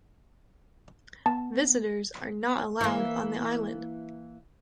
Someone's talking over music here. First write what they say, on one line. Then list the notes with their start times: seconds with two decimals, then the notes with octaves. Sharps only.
Visitors are not allowed on the island.
1.26 B3 A5
2.81 E3 A#3